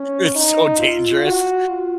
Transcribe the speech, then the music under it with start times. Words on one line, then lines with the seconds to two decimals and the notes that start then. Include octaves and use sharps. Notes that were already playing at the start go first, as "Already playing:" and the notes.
It's so dangerous.
Already playing: C#4
0.35 D#4
0.79 F4
1.23 F#4
1.68 F4